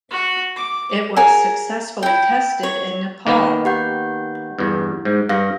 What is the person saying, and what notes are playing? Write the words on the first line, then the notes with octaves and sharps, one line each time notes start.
It was successfully tested in Nepal.
F#4
D6
G#4 A#4 G#5
E4 G5
C#5
D#3 A#3 B3
G4 F#5 G6
E2 G2
G#2
G2 F5 A#6